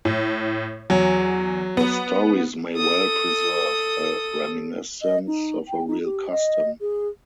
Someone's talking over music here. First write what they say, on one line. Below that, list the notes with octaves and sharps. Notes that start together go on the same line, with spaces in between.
The stories may well preserve a reminiscence of a real custom.
A2
E2 F#3
B3
A4 D#6
D#5
D#4
G5
D#4
G4
D#5
G#4